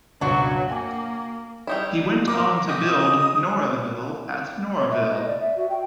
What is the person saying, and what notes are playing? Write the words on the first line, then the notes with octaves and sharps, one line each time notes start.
He went on to build "Norahville" at Noraville.
C#2 G2 B2 F#3 D4 F#4
A#3 G5 G#5 D6
G3 D#4 E4
A#4 D6
F#4 G4 A#4 D#5 D#6
C#5
E5
D#5
D5
E5
F#4
G5